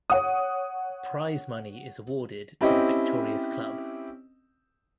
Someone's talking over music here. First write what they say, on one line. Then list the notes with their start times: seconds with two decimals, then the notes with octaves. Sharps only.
Prize money is awarded to the victorious club.
0.10 C#5 F#5 D#6
2.61 C4 C#4 E4 G4 D#5